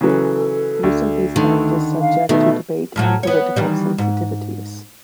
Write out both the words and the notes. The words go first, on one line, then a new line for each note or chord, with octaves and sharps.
Use of these terms is subject to debate and political sensitivities.
C#3 E3 F#3 A4
D2
D3 D#3 A3
F5
B2 D#3 A3 E5
A2 F3 F#3
B3 C#5
D#3 E3 G3
G#2